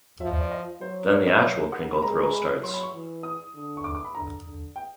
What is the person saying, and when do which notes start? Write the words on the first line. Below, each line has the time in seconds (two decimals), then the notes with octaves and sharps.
Then the actual kringle throw starts.
0.20 F3 E5
0.31 D#5
0.41 D5
0.52 D#5
0.81 F#3 C5
1.12 D5
1.27 D#5
1.42 E5
1.72 F#5
1.93 B5
2.02 G#3 A#5
2.23 A#5
2.33 B5
2.63 F#3 C6
2.74 B5
2.83 C#6
2.94 E3
3.23 D#6
3.54 D3
3.77 C#6
3.84 D6
3.95 D6
4.04 B5
4.15 D3 A#5
4.45 D3
4.76 G5